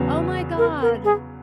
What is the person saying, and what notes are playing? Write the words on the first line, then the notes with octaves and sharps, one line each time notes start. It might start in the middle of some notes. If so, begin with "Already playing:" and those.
Oh, my god. E
Already playing: E2 C#3 F#3 B3
A#4
A#4
G#4